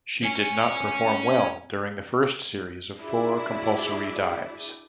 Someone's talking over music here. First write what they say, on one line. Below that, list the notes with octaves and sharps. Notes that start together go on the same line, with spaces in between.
She did not perform well during the first series of four compulsory dives.
C#5 G#5
D4 E4 F#4 G#4 D5